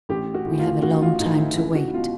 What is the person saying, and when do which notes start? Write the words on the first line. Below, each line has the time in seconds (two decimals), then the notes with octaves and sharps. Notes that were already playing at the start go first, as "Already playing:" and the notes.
We have a long time to wait.
0.09 A1 G4
0.34 F#4
0.46 A2
0.51 E3
0.59 F4
0.82 A1 F#4
1.02 F4
1.20 A2 E3 D#4
1.39 E4
1.56 C#2 E4
1.75 F#4
1.94 B2 F4